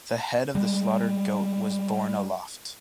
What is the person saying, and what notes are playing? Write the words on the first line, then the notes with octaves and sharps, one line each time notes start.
The head of the slaughtered goat was borne aloft.
G3 G#3